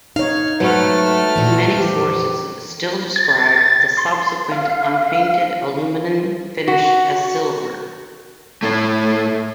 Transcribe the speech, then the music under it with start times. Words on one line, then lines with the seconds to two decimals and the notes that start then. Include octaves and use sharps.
Many sources still describe the subsequent unpainted aluminium finish as "silver".
0.16 D#4 C#5 F5
0.60 G#2 F#3 A3 F#4 B4 F#5 F6
1.36 A#2 E3 F#4
1.77 F2 G4
3.16 A6
3.97 C6
4.52 F5
6.68 F#4
8.63 A2 A3